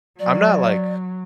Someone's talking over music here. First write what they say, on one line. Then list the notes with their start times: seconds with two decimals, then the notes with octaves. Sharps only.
I'm not, like
0.19 F#3 D5